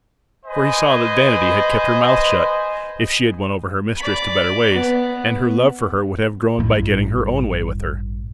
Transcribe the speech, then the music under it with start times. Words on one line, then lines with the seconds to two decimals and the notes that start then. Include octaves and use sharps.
For he saw that vanity had kept her mouth shut if she had won over her mistress to better ways, and her love for her would have grown by getting her own way with her.
0.46 B4 C5 D#5 G#5
3.98 D5 B5
4.74 B3
6.58 A1 G2